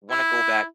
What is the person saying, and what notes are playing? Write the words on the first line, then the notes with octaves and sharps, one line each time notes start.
wanna go back
E4